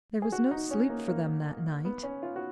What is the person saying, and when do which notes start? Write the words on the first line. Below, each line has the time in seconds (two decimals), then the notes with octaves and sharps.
There was no sleep for them that night.
0.22 G#4
0.32 F#4
0.51 D#4
0.71 C#4
0.90 A#3
1.08 A#3
1.85 B3
2.03 C#4
2.23 F4
2.36 F#4